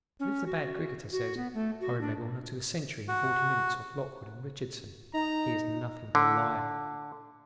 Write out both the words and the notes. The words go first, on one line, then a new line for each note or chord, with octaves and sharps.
But if the bad cricketer says, "I remember when I took a century in forty minutes off Lockwood and Richardson," he is nothing but a liar.
C#4
F#4
F#4
B3
A3
F#4
D4
F#4
D#4 A#5
D3